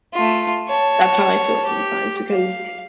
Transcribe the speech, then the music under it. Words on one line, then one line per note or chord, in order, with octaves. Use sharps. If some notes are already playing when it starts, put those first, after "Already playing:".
that's how I feel sometimes because
A3 F4
C#5 A5
G4
F5